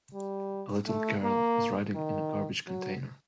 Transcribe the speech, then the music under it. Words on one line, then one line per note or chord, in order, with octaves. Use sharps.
A little girl is riding in a garbage container.
G3
A3
A#3
D#3
F#3